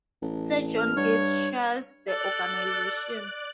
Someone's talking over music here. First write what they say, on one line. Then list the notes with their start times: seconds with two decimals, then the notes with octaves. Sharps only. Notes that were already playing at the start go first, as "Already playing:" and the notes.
Sir John Gieve chairs the organisation.
0.22 A1
0.78 F6
0.96 G2 C#5
2.09 A4 D5 F#6